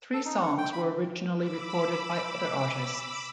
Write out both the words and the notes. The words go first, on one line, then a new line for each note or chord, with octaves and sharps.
Three songs were originally recorded by other artists.
A4
D#4
C#6
G5
B5
B5 D6 E6